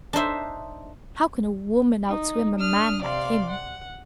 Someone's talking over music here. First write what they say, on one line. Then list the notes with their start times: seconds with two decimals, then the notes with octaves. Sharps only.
How could a woman outswim a man like him?
0.13 D4 D#4 C5 E5
2.08 D#4
2.57 D4 D#6 F6
3.01 C3 D5 F5 C6
3.50 F#5